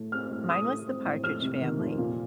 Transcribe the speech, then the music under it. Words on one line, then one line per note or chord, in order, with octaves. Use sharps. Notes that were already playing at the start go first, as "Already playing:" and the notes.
Mine was The Partridge Family.
Already playing: A2 A3
C4 F6
A2
A2 D#6
A3
C4
A2
F2 F6
C3
D#3
F2
A#2